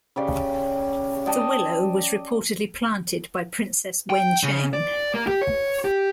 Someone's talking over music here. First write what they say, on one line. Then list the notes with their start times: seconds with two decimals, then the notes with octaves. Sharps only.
The willow was reportedly planted by Princess Wencheng.
0.16 C#3 G4 D5
1.26 D5 D#5 G5 A5
4.10 G5
4.43 C#3
4.73 D5
5.14 A#3
5.27 G4
5.42 C#5
5.85 G4